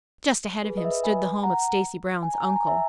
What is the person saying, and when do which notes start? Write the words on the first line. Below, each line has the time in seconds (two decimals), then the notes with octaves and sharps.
Just ahead of him stood the home of Stacy Brown's uncle.
0.64 G#4 B4
0.77 B4 D#5
0.85 E5
0.91 B4 D#5
1.04 G#5 B5
1.43 F#5 A#5
2.23 G#5
2.34 A#5
2.45 G#5
2.56 A#5
2.67 E5 G#5